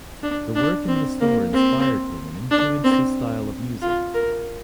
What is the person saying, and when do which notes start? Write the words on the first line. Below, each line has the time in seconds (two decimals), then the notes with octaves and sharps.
The work in the store inspired him and influenced his style of music.
0.23 D4
0.56 D4
0.88 C4
1.21 A#3
1.53 C4
2.51 D4
2.84 C4
3.82 F4
4.14 A#4